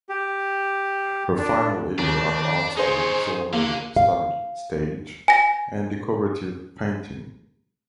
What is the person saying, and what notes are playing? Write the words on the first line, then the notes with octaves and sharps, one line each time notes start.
Her final year at the art school saw her study stage and decorative painting.
G4
D4
D#2 D4
D#4 G#4 C5 C#5
D3 A#3
F5
G#5 A#6